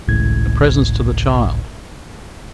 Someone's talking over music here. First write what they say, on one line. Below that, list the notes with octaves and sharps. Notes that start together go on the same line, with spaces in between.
The presents to the child!
G#1 C#2 A2 C#3 G#6